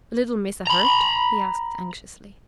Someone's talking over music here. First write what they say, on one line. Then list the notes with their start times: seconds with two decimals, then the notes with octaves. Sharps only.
"Little Missa hurt?" he asked anxiously.
0.67 A#5 B5